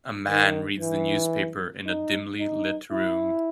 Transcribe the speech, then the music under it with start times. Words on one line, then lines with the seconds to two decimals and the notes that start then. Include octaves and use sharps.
A man reads the newspaper in a dimly lit room.
0.28 D#3
0.80 E3
1.86 D#4
2.39 D#4
2.92 E4